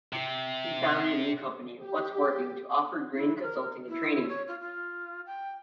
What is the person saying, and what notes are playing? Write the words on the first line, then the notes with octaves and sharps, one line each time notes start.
He founded a new company, What's Working, to offer green consulting and training.
C3
G4
E4
A#4
E4
C#5
F4
F4
G5